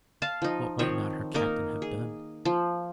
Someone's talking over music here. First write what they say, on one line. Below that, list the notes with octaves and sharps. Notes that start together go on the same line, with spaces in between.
What might not her Captain have done?
F5 A5
F3 D#4
D#3 F3 C4 C#5
A#3 D#4 A#4
G#4
F3